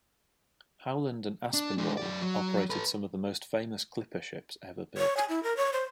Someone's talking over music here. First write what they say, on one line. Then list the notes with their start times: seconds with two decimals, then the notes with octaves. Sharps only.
Howland and Aspinwall operated some of the most famous clipper ships ever built.
1.54 D4
1.78 G#3 D4
1.97 F#2 D5
2.22 F#3
2.70 A4 B4
4.98 C#5
5.17 G#5
5.29 E4
5.43 A#4
5.57 C#5
5.73 C5